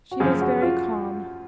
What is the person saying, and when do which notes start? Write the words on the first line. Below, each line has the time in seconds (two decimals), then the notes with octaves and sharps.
She was very calm.
0.11 F#4
0.20 F#2 C#3 F3 G#3 C#4 G#4
0.41 F#4
0.62 F4